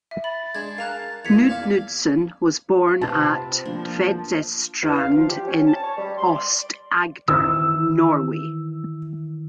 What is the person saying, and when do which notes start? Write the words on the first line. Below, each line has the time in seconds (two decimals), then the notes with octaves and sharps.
Knud Knudsen was born at Tvedestrand in Aust-Agder, Norway.
0.11 E5
0.24 B5 A6
0.55 G#3 D4 G#6
0.78 A#4 F5 A5 A#5 F#6
1.25 E2 A#2 G#6 B6 C#7 F7
1.49 D5 F5 A5
3.01 C3 C4 F4 B4 A5
3.65 F3 A#3 D4
4.83 E2
4.97 F5
5.17 F3
5.30 G4
5.48 C#4
5.67 A5
5.83 C#5
5.98 G3
6.18 C6
6.33 D5
7.28 D#3 E3 E6